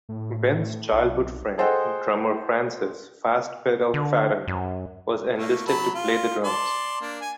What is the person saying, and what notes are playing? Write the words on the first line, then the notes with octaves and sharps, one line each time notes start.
Ben's childhood friend, drummer Frances "Fast Pedal" Farran was enlisted to play the drums.
A2
B1
G#4 A4 C5 D#5 F#5 G5
D3
F#2
A3 A#3
F#3 A5 B5
F4
D5 A5 C6
A#3 D4
G#5